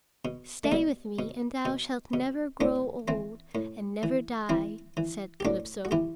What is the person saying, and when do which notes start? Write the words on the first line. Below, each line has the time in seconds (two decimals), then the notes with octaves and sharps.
"Stay with me, and thou shalt never grow old and never die," said Calypso.
0.25 B2
0.64 A3
0.72 B2 G3 B3
1.19 B2
1.65 B2
2.13 B2
2.61 A2 B3 D4
3.08 E3 C4 E4
3.55 A2
4.03 E3
4.49 E3 C4 E4
4.97 E3
5.40 G4
5.45 A2 D4 F#4
5.85 F#4
5.91 E3 E4 G4